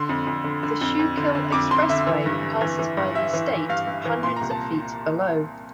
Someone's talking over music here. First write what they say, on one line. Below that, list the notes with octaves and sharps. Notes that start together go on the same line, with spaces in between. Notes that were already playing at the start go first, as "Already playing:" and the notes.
The Schuylkill Expressway passes by the estate, hundreds of feet below.
Already playing: D3 C6
F2
F2
D3
D3
F2
F2
D3
D3
F2 D6
F2 C6
D3 E5
E3
G2
G2
E3
E3
G2
G2 E5
E3
E3
G2 F5
G2
E3
A#2 C6
C2 A#5
A5